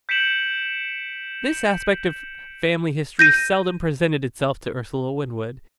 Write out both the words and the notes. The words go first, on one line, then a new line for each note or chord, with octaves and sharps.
This aspect of family history seldom presented itself to Ursula Winwood.
G6 B6 C#7 D7 E7 F#7
G6 A#6 D#7